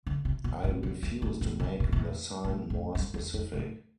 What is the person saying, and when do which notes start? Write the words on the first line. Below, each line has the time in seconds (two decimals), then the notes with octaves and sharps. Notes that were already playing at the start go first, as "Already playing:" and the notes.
I refuse to make the sign more specific.
0.07 D3
0.25 C3
0.44 B2
0.64 A2
0.83 B2
1.03 F2
1.22 A2
1.41 A2
1.60 B2
1.80 B2
1.92 B2
1.99 A2
2.44 A2
2.70 A2
2.95 G2
3.14 F2
3.34 F2
3.54 A2